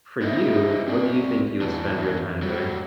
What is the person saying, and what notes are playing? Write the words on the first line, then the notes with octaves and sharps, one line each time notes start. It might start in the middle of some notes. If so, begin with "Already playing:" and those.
for you, what do you think you would spend your time doing?
E4 C5 C#5 D#5 E5
C4 D5
E2 E3 D4
F#3 G3